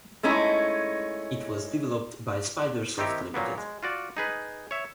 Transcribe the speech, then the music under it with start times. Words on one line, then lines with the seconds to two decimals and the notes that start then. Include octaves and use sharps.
It was developed by Spidersoft Limited.
0.23 G#3 A3 C#4 D#4 E4
2.98 D#3 C4 D#4 E4 G4
3.34 A#2 F#3 A#3 B3
3.58 G#3
3.83 F4 F#4 D5
4.17 D#4 G#4 B4
4.71 C#5 E5